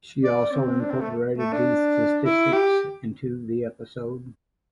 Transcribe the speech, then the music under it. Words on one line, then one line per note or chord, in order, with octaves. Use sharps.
She also incorporated these statistics into the episode.
D5
C4
D4
C4
A3
A3
D4
E4
G4